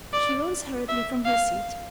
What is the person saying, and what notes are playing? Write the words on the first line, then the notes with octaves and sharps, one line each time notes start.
She rose hurriedly from her seat.
D5
E5
F5